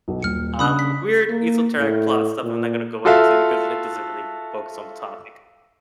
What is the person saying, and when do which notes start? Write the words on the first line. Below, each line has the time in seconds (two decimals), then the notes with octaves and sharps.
um, weird esoteric plot stuff I'm not gonna go into because it doesn't really focus on the topic.
0.08 B1 B2
0.22 D#1 F6 C#7
0.59 C#3 D4 B5 D#6 F#6
0.79 B6
1.30 A#3
1.80 A2
2.44 A#2
3.05 F4 F#4 A4 E5 F5